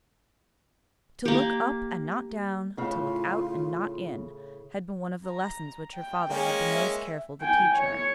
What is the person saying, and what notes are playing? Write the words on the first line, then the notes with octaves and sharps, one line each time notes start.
"To look up and not down, to look out and not in," had been one of the lessons which her father had been most careful to teach her.
A#3 G4
A2 C#3 F4
A#5
G5
G#3 A#3 C#4
E5
G5 G#5
C#5